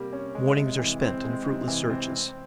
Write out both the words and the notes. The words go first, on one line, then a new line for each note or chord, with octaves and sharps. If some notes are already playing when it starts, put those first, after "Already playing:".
Mornings are spent in fruitless searches.
Already playing: C3 G3 A#3
C#4
G#3
C3
E3
C4
G#3
C3
E3
C4
C4